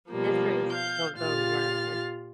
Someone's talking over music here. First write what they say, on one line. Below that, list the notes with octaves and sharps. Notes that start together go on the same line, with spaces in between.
difference the their word.
B2 F3 G3 A#3
F5 G6
A#2 F4 G4 F6 A6